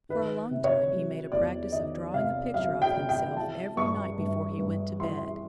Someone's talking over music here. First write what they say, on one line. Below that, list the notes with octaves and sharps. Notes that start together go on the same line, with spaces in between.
For a long time he made a practice of drawing a picture of himself every night before he went to bed.
D#3 B4
C3
C#5
F#3
E2 D5
D#3 D#5
C3 F5
F#3 F5
G5
C3
G5
E3 A5
G2 C#6
G2
G2
E3 C6